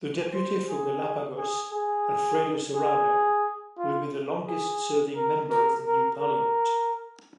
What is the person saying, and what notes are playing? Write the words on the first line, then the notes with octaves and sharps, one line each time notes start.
The deputy for Galápagos, Alfredo Serrano, will be the longest-serving member of the new parliament.
C5
G#4
G#4
G#4
G#4
F4
G#4
A#4
A#4
A#4
A#4